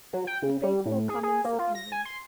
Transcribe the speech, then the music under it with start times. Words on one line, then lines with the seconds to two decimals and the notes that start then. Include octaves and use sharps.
"The faithful Commons of England."
0.13 F#3
0.27 G5
0.42 C#3
0.63 G3
0.86 A2
1.09 G#4
1.23 G#4
1.44 A#3
1.59 F4
1.75 A#6
1.92 G#5
2.05 C6